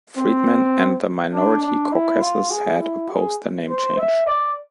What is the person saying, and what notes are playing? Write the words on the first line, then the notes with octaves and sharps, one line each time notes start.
Friedman and the minority caucuses had opposed the name change.
C4
D4
D4
E4
F4
G#4
E4
G#4
C5
E5
D5